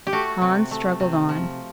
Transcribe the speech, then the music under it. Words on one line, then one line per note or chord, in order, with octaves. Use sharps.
Hans struggled on.
G4
A3 F#4
C3
A3
C3
F3